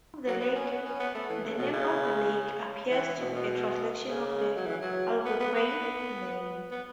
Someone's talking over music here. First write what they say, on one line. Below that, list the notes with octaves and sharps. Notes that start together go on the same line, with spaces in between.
The name of the lake appears to be a translation of the Algonquian name.
F#3
B3
C#4
B3
C#4
B3
A3
E3
C#3
B2
C#3
E3
B2
B2
C#3
F#3
E3
F#3
B3
B3
B3
B3